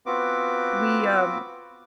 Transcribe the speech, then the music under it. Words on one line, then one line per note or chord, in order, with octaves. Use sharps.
We, um
B3 C4 F4 F#4 B4 D6